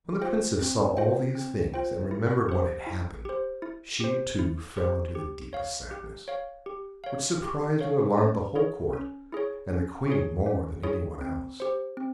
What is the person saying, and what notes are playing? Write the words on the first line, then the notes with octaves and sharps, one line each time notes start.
When the Princess saw all these things, and remembered what had happened, she, too, fell into the deepest sadness, which surprised and alarmed the whole Court, and the Queen more than anyone else.
F4 C5 G5
C4
F4 C5 G5
C4
F4 C5 G5
E4
G4 C5
E4
G4 C5
E4
G4 C5
E4
G4 C5
G4
C#5 F5
G4
C#5 F5
G4
C#5 F5
G4
C#5 F5
C#4
E4 G#4 C#5
C#4
E4 G#4 C#5
C#4
E4 G#4 C#5
C#4
E4 G#4 C#5
C4
G4 C5
C4